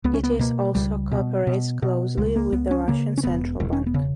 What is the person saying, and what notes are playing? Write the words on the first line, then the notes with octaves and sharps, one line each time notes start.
It is also cooperates closely with the Russian Central Bank.
C#2 B3
C#4
B3
B2 A#3
C#2 G3
B2
B2
B2
C#2 G#3
A#3
C#2 B3
C#4
C#3 A#3
C#4
E1 B3
E1
C#4
B3
C#3